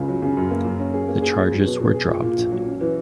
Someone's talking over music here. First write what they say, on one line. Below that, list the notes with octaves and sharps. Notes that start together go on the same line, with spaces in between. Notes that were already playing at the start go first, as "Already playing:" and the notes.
The charges were dropped.
Already playing: C#2 C#3
F#3
C#3
F#2
A#3
F#2
C#4
G#4
A#3
G#4
G#4
F#3
B2
B2
G#4
A#2
A#2
A#1
F#3
C#4
E3